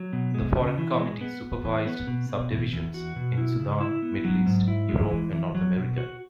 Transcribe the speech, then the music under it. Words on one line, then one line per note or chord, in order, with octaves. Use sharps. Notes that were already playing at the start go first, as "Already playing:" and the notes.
The foreign committee supervised subdivisions in Sudan, Middle East, Europe and North America.
Already playing: F#3
B2
G#3
C#3
E3
G#3
B3
B3
E3
B3
B2
B2
E2
E2
F#4
B2
E4
C#3
E4
B3
F#3
G#2
E4
G#3
E3
E3
F#3
B2
F#4